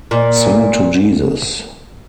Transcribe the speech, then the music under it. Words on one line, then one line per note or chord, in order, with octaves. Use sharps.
Sing to Jesus!
A#2